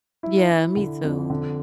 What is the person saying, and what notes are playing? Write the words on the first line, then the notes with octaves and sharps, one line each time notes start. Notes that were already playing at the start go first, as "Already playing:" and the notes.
Yeah, me, too.
E4
E4
D3
F2
D3